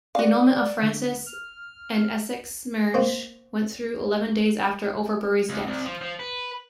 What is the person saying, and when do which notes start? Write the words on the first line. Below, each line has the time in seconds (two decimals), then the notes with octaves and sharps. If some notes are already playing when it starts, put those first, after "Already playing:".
The annulment of Frances and Essex's marriage went through eleven days after Overbury's death.
0.15 F#4 D5 F5
0.82 D3
1.26 F6
2.94 A#3 C4
5.49 C#2
5.67 C2
5.85 F3
6.02 F3
6.20 B4